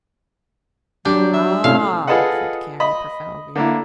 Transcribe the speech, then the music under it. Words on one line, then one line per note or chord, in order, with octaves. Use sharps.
"Ah," said Carey profoundly.
F#3 G3 D4 G6
E5
C3 A3 C#4 E4 F5
F4 G#4 A4 B4 D#5 F#5
D#5 B5
D3 A#3 E4